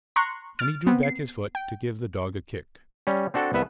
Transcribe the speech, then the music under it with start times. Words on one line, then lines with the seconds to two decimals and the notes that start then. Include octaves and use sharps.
And he drew back his foot to give the Dog a kick.
0.16 A#5 C6 C#6 F#6
0.59 F6 A6 D7
0.87 B3 C4
1.03 C7
1.55 G5
3.07 G3 C#4
3.34 C4 D4 F#4 A4
3.53 C2 B3 B4 E5